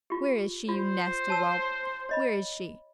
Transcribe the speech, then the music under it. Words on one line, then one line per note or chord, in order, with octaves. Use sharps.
Where is she, you nasty whelp, where is she?
F4 G4
F4 C5
C#5 A5 E6
C#5 D#5 B5